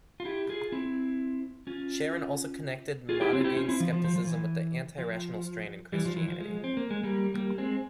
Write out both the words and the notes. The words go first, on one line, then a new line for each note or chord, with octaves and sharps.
Charron also connected Montaigne's scepticism with the anti-rational strand in Christianity.
F4
E4 G4
F4 G#4
C4 E4
C#4 F4
F4 G#4
E4 G4
C4 E4
F4
E4 G4
C#4 F4
C4 E4
F3
F3
F3
F3
E3
F3
E3 G3
F3
E3
F3
F3 G#3
C4
A#3
G#3
G3 A#3
G3 A#3
G#3 C4